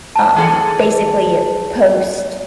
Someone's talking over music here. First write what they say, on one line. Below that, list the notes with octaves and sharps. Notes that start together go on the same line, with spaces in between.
uh, basically post,
A5
D#3 G#4 A4